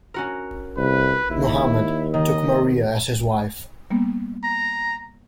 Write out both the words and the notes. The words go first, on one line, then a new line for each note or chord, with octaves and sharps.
Muhammad took Maria as his wife.
C#4 F#4 A#4
C2 B4
D#2 E4
D#3 D#5
G3 A#3 B3
A#5